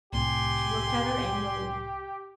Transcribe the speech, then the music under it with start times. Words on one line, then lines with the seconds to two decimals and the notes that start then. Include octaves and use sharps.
She looked at her angrily.
0.13 C2 A2 C3 G4 G#5 C6